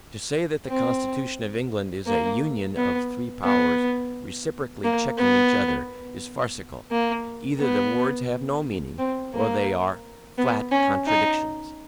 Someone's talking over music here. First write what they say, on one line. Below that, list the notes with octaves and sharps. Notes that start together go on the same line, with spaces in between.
To say that the constitution of England is a UNION of three powers reciprocally CHECKING each other, is farcical, either the words have no meaning, or they are flat contradictions.
C4
A#3
B3
B3
A#3
B3
A#3
B3
C4
A#3
B3
C#4
D#4